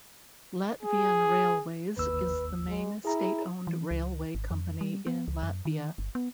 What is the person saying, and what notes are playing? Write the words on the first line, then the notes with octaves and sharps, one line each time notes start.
Latvian Railways is the main state-owned railway company in Latvia.
G#4
G1 D#2 B4 E6
G#3
E4 G#4 A#5
E3
C#2
G#1
F2
G3
B3
C#2
F#2
D#3
G1
B3